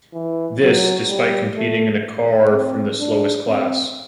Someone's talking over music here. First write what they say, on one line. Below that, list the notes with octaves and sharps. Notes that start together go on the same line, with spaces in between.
This, despite competing in a car from the slowest class.
E3
F#3
G3
A3
C4
D4
C4